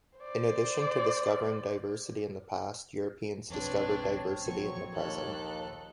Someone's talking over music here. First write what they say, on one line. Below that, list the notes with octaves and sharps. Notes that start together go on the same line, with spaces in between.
In addition to discovering diversity in the past, Europeans discovered diversity in the present.
C5 D5
B1 F2 C4 D4 B4 C#5
A#1 F#3 C#6
D#2 A4 F#6